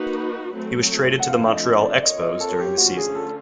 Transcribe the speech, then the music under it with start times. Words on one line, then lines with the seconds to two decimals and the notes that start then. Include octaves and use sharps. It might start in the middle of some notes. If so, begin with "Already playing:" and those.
He was traded to the Montreal Expos during the season.
Already playing: A#3 D#4 F#4 B4
0.53 F#3 A3 C4
1.19 F#5
1.28 D3 F3 A3 C4 E4 F5
1.53 D#5
1.78 D5
2.02 C4 F4 A#4 C#5 D#5
2.22 D#5
2.40 A4
2.59 G4
2.78 D3 F3 A3 C#4 F4 F#4
2.97 G#4
3.15 A4